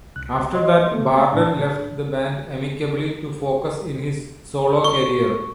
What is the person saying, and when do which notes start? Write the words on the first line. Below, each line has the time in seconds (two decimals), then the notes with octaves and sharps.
After that, Barden left the band amicably to focus in his solo career.
0.16 C2 F#6
0.55 C5 D#5 C6
0.91 A3 B3
1.31 A2 D4 A5
4.84 C#6